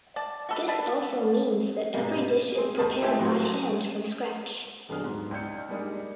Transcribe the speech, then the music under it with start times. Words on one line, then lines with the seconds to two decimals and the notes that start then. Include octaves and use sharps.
This also means that every dish is prepared by hand from scratch.
0.16 D5 A5
0.49 F#4 A4 B4
0.67 D4 B4 A5 B5
1.94 G#2 B2 G3
2.15 B2
2.55 C4 G#4
2.78 D#2 C5 A5 B5 D#6
3.02 G#3 A3 C4 E4 G4 G#4
3.19 A2 F#3 C6
4.89 D#1 D3 F#3 B3 G#4 F6
5.04 G#2
5.31 C#2 D#4 D5 G6 C#7
5.69 G3 G#3 A#3 D4 D#4 G#4